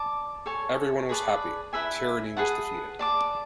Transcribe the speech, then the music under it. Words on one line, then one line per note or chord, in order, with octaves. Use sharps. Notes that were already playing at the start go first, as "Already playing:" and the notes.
Everyone was happy, tyranny was defeated.
Already playing: D5 A5 D6
A4 C#5 G#5
G#4 B4 D5 A5
E4 B4 E5 G#5
G#4 B4 F#5 A5
D5 A5 D6